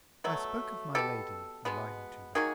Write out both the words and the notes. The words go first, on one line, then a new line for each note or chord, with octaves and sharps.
I spoke of my lady a line or two back.
B2 F#3 A3
B2 F#3 B3 G4 A4
B2 G#3 B3
D#3 F#3 A#3 F#4 G#4